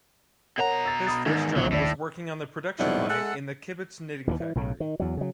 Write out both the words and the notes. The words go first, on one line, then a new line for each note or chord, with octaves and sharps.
His first job was working on the production line in the kibbutz knitting factory.
B2 A#4 C#5 F#5 A#5
E6 A6
B5 D#6 A6
E2 G#2 D#3
D1 A#1 F2 F#3
D#2 A2 D5 B6
F2 B2 F#3 G3 D#4 E4
G#3 A4 E5 F#5
D#2 C3 E3
E3
B1 A2 C#3
D#3
E2 F#3
C#3 F#3